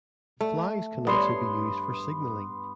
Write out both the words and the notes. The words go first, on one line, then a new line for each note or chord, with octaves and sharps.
Flags can also be used for signaling.
A3
G2 B3 C#5 C6